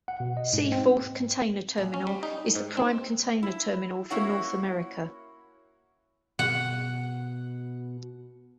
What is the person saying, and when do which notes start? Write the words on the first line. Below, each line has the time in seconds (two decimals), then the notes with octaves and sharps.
Seaforth container terminal is the prime container terminal for North America.
0.08 F#5
0.20 B2
0.37 D#5
0.53 G#2
0.72 C4
1.78 A#1
1.94 C#4
2.07 G3
2.23 D#4
2.55 G#2
2.77 C4
3.43 E4
4.10 A#3 C#4 E4 F#4 C#5 F#5
6.39 B2 F#5